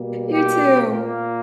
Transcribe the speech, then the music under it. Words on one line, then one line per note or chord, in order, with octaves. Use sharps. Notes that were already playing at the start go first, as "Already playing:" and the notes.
You too.
Already playing: B2 G3 A#3
G4
A#2 A#3